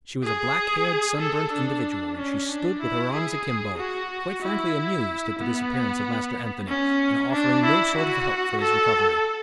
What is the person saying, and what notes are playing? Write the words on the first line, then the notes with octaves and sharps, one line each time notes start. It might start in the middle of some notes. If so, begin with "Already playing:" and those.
She was a black-haired, sun-burnt individual and she stood with her arms akimbo, quite frankly amused at the disappearance of Master Anthony, and offering no sort of help for his recovery.
G#4
A4
D4
C#4
D4
E4
G#4
F#4
E4
B3
C#4
D4
E4
F#4
A4